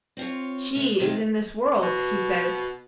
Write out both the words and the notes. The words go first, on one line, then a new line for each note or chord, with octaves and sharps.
"She is in this world," he says.
C4 F4 C#5
C3 A3
C3 D#3 G#3 D#4 F4
B2